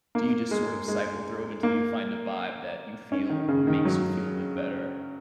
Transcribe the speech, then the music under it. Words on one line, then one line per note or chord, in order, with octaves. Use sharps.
do you just sort of cycle through 'em until you find a vibe that you feel makes you feel a bit better?
A#3
G#3
G#3
A#3
C#4
D#3
C#3
D#3
F#3